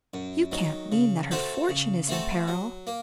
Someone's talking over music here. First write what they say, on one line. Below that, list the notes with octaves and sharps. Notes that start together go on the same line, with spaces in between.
"You can't mean that her fortune is in peril?"
F#2
D#3 F#3
C#3
A3 C4 F#4 A4
C#3
A3 C4 F#4 A4
F#3
A#3